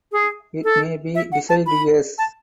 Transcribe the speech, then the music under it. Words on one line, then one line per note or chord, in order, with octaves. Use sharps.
It may be deciduous.
G#4
A4
E5
F#5
A5
B5
A5